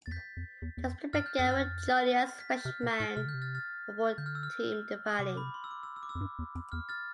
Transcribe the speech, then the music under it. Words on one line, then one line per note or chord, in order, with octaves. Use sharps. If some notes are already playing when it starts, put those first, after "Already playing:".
The split began with Joliet's Freshmen football team dividing.
E2 A6
F2 G6 B6
F2
E2
E2
F2
G2 F6 A6
G6
F2 F6 A6
G2
F2 F6 A6
B6
A6
G6
C3 F6
B2 F6
A2 F6 A6
C3 F6
D3 G6
C3
F6 A6
F6 A6
D3 G6
F6
E6
F6
C3 D6
B5
C6
E6
D6
E6
E6
D6
E6
F2
G2
E2
F2
E2 F6
F6 A6